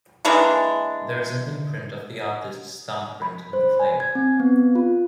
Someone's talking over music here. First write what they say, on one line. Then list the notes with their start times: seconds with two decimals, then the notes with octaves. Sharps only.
There is an imprint of the artist's thumbprint in the clay.
0.25 E3 G#3 A#3 D4
3.22 B5
3.53 C5
3.79 G#5
4.00 G#6
4.15 C4
4.40 B3
4.75 F4